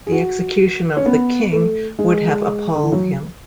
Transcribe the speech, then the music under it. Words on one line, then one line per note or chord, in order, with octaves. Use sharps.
The execution of the King would have appalled him.
G#4
F#4
C#4
B3
A3
G#3
D3
E3
F#3